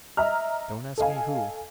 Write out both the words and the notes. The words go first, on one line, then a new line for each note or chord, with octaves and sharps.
Don't ask me who.
D#5 E5 A#5 F6
A4 D#5 F5 G#5